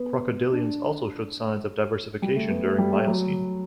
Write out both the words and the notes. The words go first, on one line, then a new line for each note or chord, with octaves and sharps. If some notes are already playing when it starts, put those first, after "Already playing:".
Crocodilians also showed signs of diversification during Miocene.
Already playing: B3
D4
G3
A3
B3
A3
G3
A3
F#3